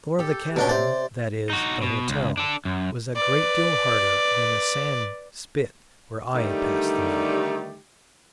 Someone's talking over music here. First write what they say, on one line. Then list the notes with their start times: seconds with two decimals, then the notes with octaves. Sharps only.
The floor of the cabin--that is, the hotel--was a great deal harder than the sand spit where I had passed the night.
0.19 G4 A4
0.56 B2 C#4 D4 A#4 G5
0.69 C3 C5 D5
1.50 D#4 F#4
1.82 B2
2.09 C#2
2.37 D4 A4
2.65 F#2
3.16 B4 D5
6.35 D3 D#3 G3 A3 D#4 G4